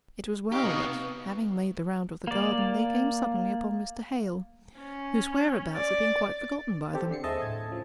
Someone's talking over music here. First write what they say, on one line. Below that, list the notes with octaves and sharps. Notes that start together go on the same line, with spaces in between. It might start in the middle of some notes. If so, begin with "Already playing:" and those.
It was well that, having made the round of the garden, they came suddenly upon Mr. Hale, whose whereabouts had been quite forgotten by them.
D#4 G4 F5 C#6
C3 B3
A#3 D5
C#4
D5
C4 G4 A4
D3 C7 C#7
D#2 G#4 A4 C5 D#5 E5 A5
A2 G#6
C#3 F3